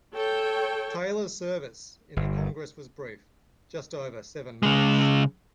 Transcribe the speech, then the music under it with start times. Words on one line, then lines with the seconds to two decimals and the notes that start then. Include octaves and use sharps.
Taylor's service in the Congress was brief, just over seven months.
0.15 A4 C#5 G5
2.17 G1
4.63 C#3 G#3